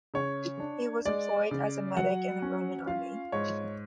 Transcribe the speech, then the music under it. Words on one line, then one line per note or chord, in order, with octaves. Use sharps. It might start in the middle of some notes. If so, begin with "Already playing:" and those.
He was employed as a medic in the Roman army.
C#3 C#5
D4
G#3 D5
C#3
F#3 F#5
C#4
F4 F5
G#2 C#5